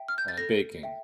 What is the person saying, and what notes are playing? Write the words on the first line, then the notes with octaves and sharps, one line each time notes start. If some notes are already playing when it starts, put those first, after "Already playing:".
uh, baking,
Already playing: E5 G5
F6
G6
A6
A4 A#6
E5 G5